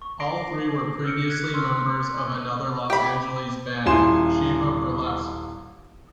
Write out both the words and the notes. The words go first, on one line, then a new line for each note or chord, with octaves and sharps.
All three were previously members of another Los Angeles band, Shiva Burlesque.
C#6
D6 A#6 C7 D7
E6 F6 G6 C#7 D7
F#6 G#6 B6
C6 C#6 E6 F6
G4 B5
D#1 E4 F4 G#5 C6 E7